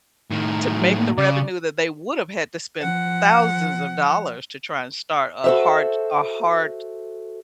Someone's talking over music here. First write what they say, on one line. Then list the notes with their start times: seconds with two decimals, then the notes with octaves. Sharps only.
to make the revenue that they would've had to spend thousands of dollars to try and start a hard a hard
0.30 A2 D#3
0.82 F#3
0.99 A#3
1.18 C#3 D5
2.80 F3 F#5
5.44 F#4 A4 A#4 C5 E5